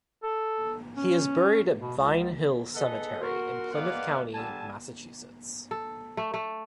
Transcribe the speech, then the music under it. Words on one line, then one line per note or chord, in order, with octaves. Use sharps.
He is buried at Vine Hills Cemetery in Plymouth County, Massachusetts.
A4
C#4
B2
C#2
G#4 A4 B4 D#5 F#5
F#4 A#4 C6
G#3 A#3 B3 D5 F5 F#5
D3 G3 G#5 A5
A4
A3
A3